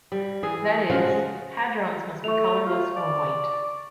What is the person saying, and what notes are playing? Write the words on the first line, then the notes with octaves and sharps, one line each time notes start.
That is, hadrons must be "colorless" or "white".
G3
E3 G#4
C#3 F3 G#3 F#4
A3 C#6 F7
F4
D5